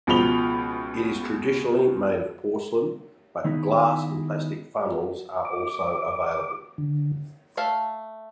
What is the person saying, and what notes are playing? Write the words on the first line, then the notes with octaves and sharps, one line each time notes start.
It is traditionally made of porcelain, but glass and plastic funnels are also available.
C#2 B2 F3 B5 F7 G7
D#3 B3 D#4 E4 G#4
D6
D3
A3 F5 A5